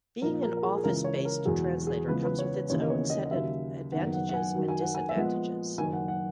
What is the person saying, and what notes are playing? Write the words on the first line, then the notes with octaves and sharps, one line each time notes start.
Being an office-based translator comes with its own set of advantages and disadvantages.
A#1 A#2 A#3 A#4
A#4
A#4
G#4
G#4
C#2 C#3 E3 A#4
C#5
A#4
E1 E2 B2 F#3 G#4
F#4
F#4
G#4
C#2 C#3 E3 B3 B4
B4
C#5
B4
D#2 C#3 E3 A#3 C#5
D#5
C#5
D#5
D#5
D#2 C#3 F#3 E5
F#1 F#2 D#3 F#3 B3 F#5
F#5
F#5
G#5
F#2 D#3 F#3
G#5
F#5
G#5
E5
A#1 A#2 G#3 B3 F#5
F#1 F#2 D#3 G#5
F#5
F#5